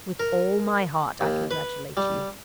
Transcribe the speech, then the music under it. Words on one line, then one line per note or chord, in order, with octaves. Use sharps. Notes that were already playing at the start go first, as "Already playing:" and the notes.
With all my heart, I congratulate you.
A#4
D#2
B4
G3